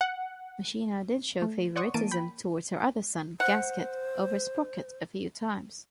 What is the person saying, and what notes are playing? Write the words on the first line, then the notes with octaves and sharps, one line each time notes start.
Machina did show favoritism towards her other son, Gasket, over Sprocket a few times.
F#5
A3
C#5 D5 F#5 C6 C#6 D#6
E3 A#3 A5 D7 D#7
G5 B5
C5 F#5